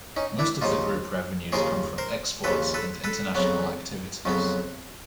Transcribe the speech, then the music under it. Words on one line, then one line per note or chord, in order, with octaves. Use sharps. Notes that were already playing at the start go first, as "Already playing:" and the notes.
Most of the Group revenues come from exports and international activities.
C#4 D#4
D4 E4
D#2 C#3 F3 D#4 F4
D#2 C#3 F3 G#4 A#4
A#4 C5
D#2 C#3 F3 A4 B4
A4 B4
A4 B4
F2 C#3 F#3 B3
F2 C#3 F#3 B3